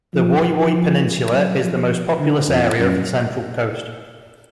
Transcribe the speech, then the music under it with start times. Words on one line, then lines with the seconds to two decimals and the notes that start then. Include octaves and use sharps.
The Woy Woy Peninsula is the most populous area of the Central Coast.
0.14 F3
0.43 F3
1.32 F#3
1.60 F3
2.19 D3
2.48 F2
2.77 F#2